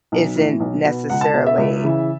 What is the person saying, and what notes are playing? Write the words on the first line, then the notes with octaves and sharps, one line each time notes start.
isn't necessarily
B1
A2 E3
B1
B2
C#2 F#5
A5
B2
E5
C#2
C#3 E3